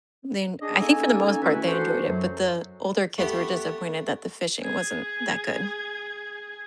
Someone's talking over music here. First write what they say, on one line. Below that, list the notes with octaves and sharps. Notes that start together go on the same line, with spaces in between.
then I think for the most part, they enjoyed it, but the older kids were disappointed that the fishing wasn't that good.
D4 G#4 D#5
A#3 C#4 D#4 A4 G#5
D#3 A3 C#4 E4 F#4 B4
D4 F#4 A4 C5
F#2 F#3
A3 B3 G4
G#4 G#6